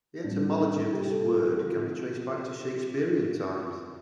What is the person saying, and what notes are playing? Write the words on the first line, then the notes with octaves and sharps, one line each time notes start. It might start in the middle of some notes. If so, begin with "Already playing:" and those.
The etymology of this word can be traced back to Shakespearean times.
A2 G3 C4 D4
C3 G3 C4 G4
A4
F4
A4
D3 F3 C4 F4